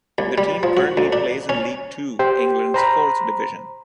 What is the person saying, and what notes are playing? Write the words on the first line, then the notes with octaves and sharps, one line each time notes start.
The team currently plays in League Two, England's fourth division.
C2
G3
F3
F#4
D2
D4
C#4
G4 C5 G5
C5 A#5 B5